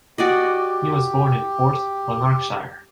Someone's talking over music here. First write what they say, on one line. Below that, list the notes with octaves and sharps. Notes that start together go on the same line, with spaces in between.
He was born in Forth, Lanarkshire.
F#4 G4 D5 D#5